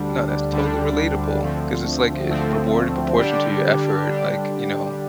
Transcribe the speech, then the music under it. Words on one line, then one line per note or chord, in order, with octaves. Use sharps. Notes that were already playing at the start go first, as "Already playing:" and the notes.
No, that's totally relatable 'cause it's like, eh, a reward in proportion to your effort, like, you know?
Already playing: D2 D3 G3 D4
D2 D3 G3 D4
D2 D3 F3 A3 C4
D2 D3 F3 A3 C4
D3 G3 D4 G4
D3 G3 D4 G4